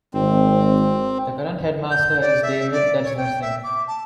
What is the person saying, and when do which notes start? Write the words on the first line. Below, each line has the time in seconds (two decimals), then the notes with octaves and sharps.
The current headmaster is David Gajadharsingh.
0.14 G#1 C4
1.90 G6
2.21 D5
2.42 E5
2.72 D5
3.03 C#5
3.17 G5
3.41 E5
3.63 D6
3.87 A5